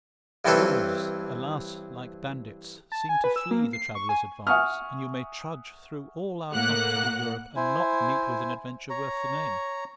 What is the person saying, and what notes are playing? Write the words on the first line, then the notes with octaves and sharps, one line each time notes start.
Wolves, alas! like bandits, seem to flee the traveler's advance, and you may trudge through all our comfortable Europe and not meet with an adventure worth the name.
G2 E3 C4 C#4 A4 B4
A5
G#5
B4
E6
A#3
C7
C#6
G#5
E5 F#5 G#5 C#6 D#6 F6
A2 A#3 F#5 F#6
E4 C5 G#5
C#5 A#5